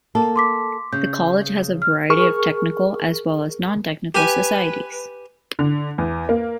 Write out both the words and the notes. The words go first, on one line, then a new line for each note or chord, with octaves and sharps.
The college has a variety of Technical as well as nontechnical societies.
A#3 A4
C6 D6 B6
C#3 G6
F6
G#4 A#4 C#6 F6
G4 B4 G#5
D3
E2
A#3